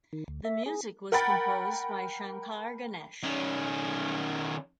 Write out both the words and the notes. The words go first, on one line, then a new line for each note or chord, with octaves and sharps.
The music was composed by Shankar–Ganesh.
D#3
D2
E5
G#4
A#4 F#5 G5 B5 A6
D#3 C#4